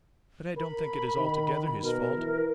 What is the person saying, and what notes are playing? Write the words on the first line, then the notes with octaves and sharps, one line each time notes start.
But I don't think it is altogether his fault.
A#4 B5
D#3
B2 A#4
E3